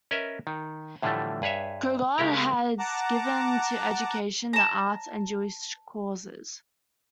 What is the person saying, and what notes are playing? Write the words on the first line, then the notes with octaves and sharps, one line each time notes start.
Kogod has given to education, the arts, and Jewish causes.
C#4 A#4 B4 D#5 E5
D#3
A2 D3 E3 F3 G3 A3
G2 G#4 B4 C#5 E5
C#3 G#3 G4 A#4 A#5
F#5 A5 A#5 D6
A5 A#5